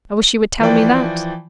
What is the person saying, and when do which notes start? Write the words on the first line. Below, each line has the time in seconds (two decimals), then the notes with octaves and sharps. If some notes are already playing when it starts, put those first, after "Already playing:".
"I wish you would tell me that."
0.60 E3 F3 D5 G5